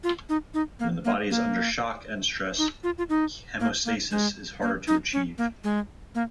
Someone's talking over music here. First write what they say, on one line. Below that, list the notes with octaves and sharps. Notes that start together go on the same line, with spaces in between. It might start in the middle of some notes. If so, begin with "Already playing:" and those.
When the body is under shock and stress, hemostasis is harder to achieve.
F4
D#4
D#4
A#3
A#3
A#3
D#4
F4
F4
D#4
A#3
A#3
G#3
A#3
D#4
C#4
A#3
G#3
A#3